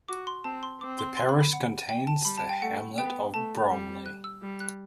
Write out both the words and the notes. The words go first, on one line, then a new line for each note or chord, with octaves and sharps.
The parish contains the hamlet of Bromley.
F#4 D6
C6
C4 A5
C6
C4 D6
C6
C6
B5
B5
F#5
G5
A5
G3 B5
A5
G5
A3 F#5
B3 G5
A3 A5
G3
F#6
E6
G3
F#6